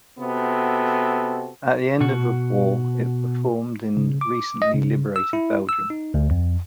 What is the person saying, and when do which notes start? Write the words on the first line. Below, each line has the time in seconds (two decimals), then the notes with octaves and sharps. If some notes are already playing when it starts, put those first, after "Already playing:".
At the end of the war it performed in recently liberated Belgium.
0.18 C3 B3 F#4 A4
2.01 B2 F#4
3.97 C#3
4.21 D6
4.62 D#5
4.74 C#3
5.16 E6
5.33 E4
5.69 E6
5.90 D#4
6.14 D2
6.31 F2